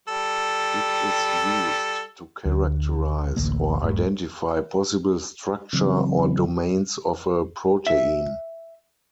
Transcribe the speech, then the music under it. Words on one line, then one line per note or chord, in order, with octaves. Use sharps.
It is used to characterize or identify possible structure or domains of a protein.
G3 A4
D2
A1 D2 A#3
D#1 G2 A3
C#3 E3 F#3 C4
E5